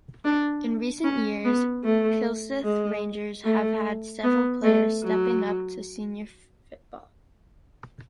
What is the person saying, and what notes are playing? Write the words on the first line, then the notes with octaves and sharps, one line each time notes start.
In recent years Kilsyth Rangers have had several players stepping up to Senior Football.
D4
C#4
B3
A3
G#3
A3
B3
A3
F#3